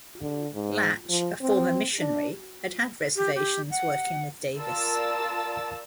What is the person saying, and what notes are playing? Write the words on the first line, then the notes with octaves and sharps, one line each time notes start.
Latch, a former missionary, had had reservations working with Davis.
D3
G#2
F3
C4
D4
G4
G4
F#5
F4 A#4 D5 A5 E6 A6